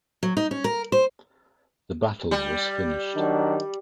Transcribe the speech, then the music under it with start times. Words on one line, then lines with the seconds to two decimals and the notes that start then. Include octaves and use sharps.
The battle was finished.
0.23 F#3
0.37 D#4
0.51 C#4
0.64 A#4
0.92 C5
2.31 G3
3.15 D#3 F#3 D4